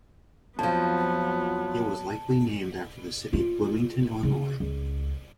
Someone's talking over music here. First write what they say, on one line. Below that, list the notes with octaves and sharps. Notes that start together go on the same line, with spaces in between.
It was likely named after the city of Bloomington, Illinois.
F2 F3 F#3 B3 A5
F4
C#3
C#2